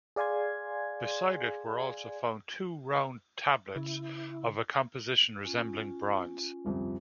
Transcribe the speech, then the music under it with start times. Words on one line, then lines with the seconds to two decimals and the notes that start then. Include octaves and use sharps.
Beside it were also found two round tablets, of a composition resembling bronze.
0.16 G#4 D5 F5 G#5 C6 G#6
3.76 C#3 E4
5.44 C#4 F4 G#5
6.64 G1 C2 F2